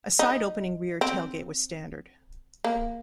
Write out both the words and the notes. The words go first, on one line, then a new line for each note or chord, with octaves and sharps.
A side-opening rear tailgate was standard.
D#4
C4
A#3